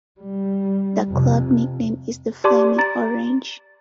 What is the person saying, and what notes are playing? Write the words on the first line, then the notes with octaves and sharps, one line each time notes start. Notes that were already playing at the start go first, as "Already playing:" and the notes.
The club nickname is the flaming orange.
G3
F2 C3
G4 D5 A5 C6 D6
A#5 A6